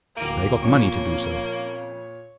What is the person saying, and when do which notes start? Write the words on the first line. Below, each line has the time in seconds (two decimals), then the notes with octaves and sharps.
"They got money to do so."
0.17 D1 A#3 A#5 D6 D7
0.63 F2 A#2 C#4 C#5 C#6